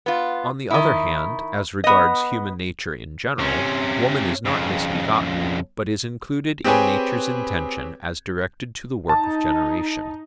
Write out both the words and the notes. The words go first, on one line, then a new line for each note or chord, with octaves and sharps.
On the other hand, as regards human nature in general, woman is not misbegotten, but is included in nature's intention as directed to the work of generation.
B3 F4
D#3 E4
B3 D#5
C3 C#4
F2 C#3
C4 G4 G#4 B4 C#5 G#5
D#4 A5